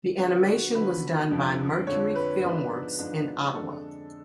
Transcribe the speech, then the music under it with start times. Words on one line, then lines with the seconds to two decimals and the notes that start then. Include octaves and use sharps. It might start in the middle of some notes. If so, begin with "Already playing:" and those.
The animation was done by Mercury Filmworks in Ottawa.
0.18 D3 F3 B3 F#4
0.74 D3 F3 B3 B4
1.31 F2 D3 F3
1.87 F2 D3 F3 C#5
2.15 B4
2.43 G#2 F3 B3 D4
2.99 G#2 F3 B3 D4
3.55 F2 D3 G#3 D4 A4